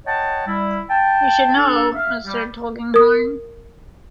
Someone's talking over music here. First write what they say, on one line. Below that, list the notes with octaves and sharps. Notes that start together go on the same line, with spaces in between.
You should know, Mr. Tulkinghorn.
C#5 D#5 F#5 G5 A5
G3 E4
G5 A5
D4 A4
E5 F5
G3
A#4 D#6